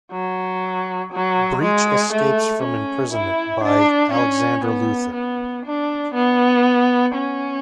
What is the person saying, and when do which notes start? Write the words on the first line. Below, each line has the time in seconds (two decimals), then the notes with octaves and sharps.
Breach escapes from imprisonment by Alexander Luthor.
0.12 F#3
1.13 F#3
1.62 G#3
2.13 A3
2.63 C#4
3.13 E4
3.64 D4
4.14 C#4
4.64 B3
5.14 B3
5.65 D4
6.15 B3
7.15 C#4